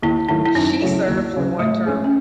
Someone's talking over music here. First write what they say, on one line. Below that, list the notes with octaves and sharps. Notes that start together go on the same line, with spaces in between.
She served for one term.
D#2 E4
D#3 F#3 A3 E4
E4
F#2 D#4
C#3 F#3 A3
D#2
C#3 F#3
A2 A3
G#3 C#4 G#4
C#4